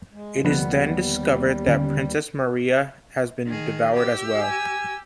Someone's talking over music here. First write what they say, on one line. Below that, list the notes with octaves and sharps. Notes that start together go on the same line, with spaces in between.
It is then discovered that Princess Maria has been devoured as well.
G#3
D#2 D3 F3 G3 B3
D3 C#4
D#3 G#4
G4 E6
G#5